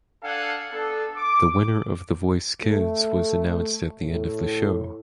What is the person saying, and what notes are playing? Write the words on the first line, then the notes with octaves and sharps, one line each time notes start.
The winner of The Voice Kids was announced at the end of the show.
D4 A4 F5 F#5 G#5
B3 D4 A4
D6
A3
A2